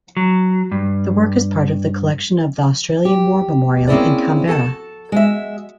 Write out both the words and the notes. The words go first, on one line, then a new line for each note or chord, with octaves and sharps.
The work is part of the collection of the Australian War Memorial in Canberra.
F#3
G2
G4
A#3 C4 C#4 E4 G#4 D5
F#4 A4 G#5 A5
G#3 F#4 E5